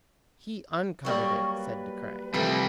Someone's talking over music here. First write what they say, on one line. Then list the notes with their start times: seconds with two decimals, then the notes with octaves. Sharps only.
"He uncovered it," said De Craye.
1.05 F#3 G3 A#3 A#4 C#6
1.54 B4
2.34 C3 E3 F3 G3 A3